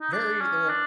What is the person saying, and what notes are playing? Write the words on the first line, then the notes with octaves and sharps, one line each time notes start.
very they're a
D#4
D4
C#4
D4